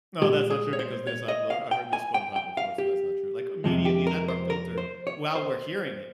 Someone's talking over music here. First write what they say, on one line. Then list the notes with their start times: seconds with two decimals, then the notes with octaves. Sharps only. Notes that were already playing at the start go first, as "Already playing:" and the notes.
"No, that's not true because this I've lear I heard this one time before, so that's not true." Like, immediately that's our filter while we're hearing it.
0.22 A#2 G#3 G4
0.50 G#4
0.73 C#5
0.79 C5
1.07 C#5
1.28 D#5
1.50 F5
1.71 G5
1.93 G#5
2.14 G5
2.36 G5
2.57 F5
2.78 G4
3.64 F2 C3 F3 G#3
3.85 G4
4.07 A#4
4.28 C5
4.50 A#4
4.78 C5
5.07 C#5
5.35 C5